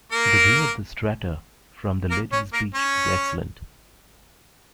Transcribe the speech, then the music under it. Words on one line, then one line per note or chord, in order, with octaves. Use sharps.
The view of the strata from the Ladies Beach is excellent.
A#3 A#4
A#3 A#4
C#4 C#5
A#3 A#4
C#4 C#5